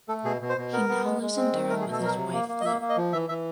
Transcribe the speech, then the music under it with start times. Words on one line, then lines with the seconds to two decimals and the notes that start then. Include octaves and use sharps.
He now lives in Durham with his wife Lou.
0.08 A3 A4
0.24 B2 G#4
0.41 B2
0.50 C5
0.58 B2
0.73 B3 A#4
0.89 B3
1.05 G#3
1.21 G#3
1.37 C4
1.53 D#3
1.69 A3 A#4
1.81 G#4
1.86 B2
1.93 A4
2.02 F#3 A#4
2.17 C3
2.33 A#3
2.49 A#3
2.61 D#5
2.65 A#3 E5
2.81 A#3
2.89 D#5
2.97 F3
3.13 E3 E5
3.29 E3 E5